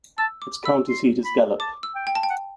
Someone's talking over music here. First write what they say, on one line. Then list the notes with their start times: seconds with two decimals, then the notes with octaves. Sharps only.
Its county seat is Gallup.
0.18 A5 E6
0.42 D6
0.65 B5 E6
0.89 C6
1.25 B5
1.60 A5 D6
1.83 E6
1.95 G5
2.07 G5
2.15 A5
2.23 G5
2.30 F#5